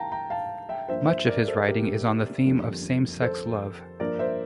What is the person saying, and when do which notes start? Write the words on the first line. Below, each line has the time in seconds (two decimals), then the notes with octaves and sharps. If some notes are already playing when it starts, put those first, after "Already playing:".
Much of his writing is on the theme of same-sex love.
Already playing: E3 A#3 F5 G5 A5 A#5
0.12 G5 A#5
0.30 F5 A5
0.69 E5 G5
0.88 G2 F3 A#3 C5 E5
1.08 C5 E5
1.28 A#4 D5
1.48 A4 C5
1.66 G4 A#4
2.45 F2 D3 G3 A#3
3.22 A4 C5
4.00 G2 F3 A#3 A#4 D5
4.19 C5 E5